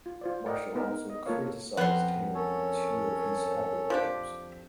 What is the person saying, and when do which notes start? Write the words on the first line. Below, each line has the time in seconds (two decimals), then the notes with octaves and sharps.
Marcial also criticized him in two of his epigrams.
0.06 F4
0.21 F4 C5 D5
0.46 A#4 D5 D#5 F#5 G5
0.75 B3 D#4 A#4
1.10 D#5
1.26 A#3 F4 A4 A#4 C#5 F5
1.77 F2 B3 F#4 B4 F#5 C6
2.35 C#4 A4 A#4 C#5
3.90 F3 D4 G4